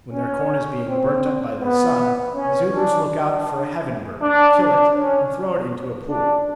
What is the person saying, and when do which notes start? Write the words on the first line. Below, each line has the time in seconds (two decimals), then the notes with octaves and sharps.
When their corn is being burnt up by the sun, the Zulus look out for a "heaven bird," kill it, and throw it into a pool.
0.13 C#4
0.88 C4
1.61 B3
2.36 C#4
2.74 D4
3.10 D4
4.22 D4
4.59 D4
4.96 C#4
6.08 D4